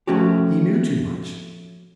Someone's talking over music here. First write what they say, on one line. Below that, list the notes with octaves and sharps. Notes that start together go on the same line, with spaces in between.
He knew too much.
F3 A3 C#4 F#4 G4